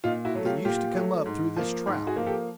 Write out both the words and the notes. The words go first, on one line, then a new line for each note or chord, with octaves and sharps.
They used to come up through this trap.
A#2 D#4 F4
E4 F#4
F#3 A3
F4 G4
A#2 F4 G4
F#3 A3
G#2
F3 A#3
G#2
F#4 G#4
F3 A#3
G4 A4